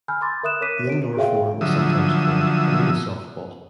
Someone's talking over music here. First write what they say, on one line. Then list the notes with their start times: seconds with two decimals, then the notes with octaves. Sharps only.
The indoor form is sometimes called Arena Softball.
0.08 G#5 B5 E6 F6 G6
0.21 B5 C6 D6 A6
0.43 A#4 E5 D#6 F#6 E7
0.61 A#4 C#5 D6 F#6 B6 D#7
0.87 C#5 D7
1.17 F#4 G#4 C#5 E5 F5 G5
1.61 D3 F3 F#3 E5 D#6